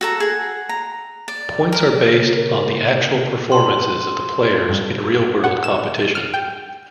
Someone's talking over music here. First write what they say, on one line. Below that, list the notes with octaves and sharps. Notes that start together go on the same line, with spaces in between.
Points are based on the actual performances of the players in real-world competition.
F#4 A4 A#5
G#4 F#5
A#5
D5
A#4
C#3 A#3
C6
G2
F#5
E7
F6
G5